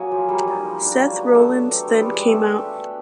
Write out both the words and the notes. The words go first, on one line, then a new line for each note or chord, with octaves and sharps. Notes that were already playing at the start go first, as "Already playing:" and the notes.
Seth Rollins then came out.
Already playing: F#3 A#3 G#4
F3
G3 A#3
D#4
F3
D4
F#3
B3
A3 B3
F#3
G4
G#3 D4
G3 G4
G#3
A3 G4
G4
D4
B3